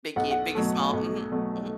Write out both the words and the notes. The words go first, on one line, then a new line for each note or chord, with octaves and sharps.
Biggie, Biggie Smalls, mhm, mhm.
B1 F#5
F#5
B2 F#3 A3
B1
B2 F#3 A3